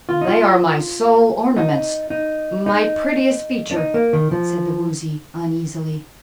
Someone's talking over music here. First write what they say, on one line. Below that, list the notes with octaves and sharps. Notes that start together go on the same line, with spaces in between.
"They are my sole ornaments, my prettiest feature," said the Woozy, uneasily.
F4
D#4
F4
D#4
D#4
D#4
D4
D#4
A#3
D#3
F3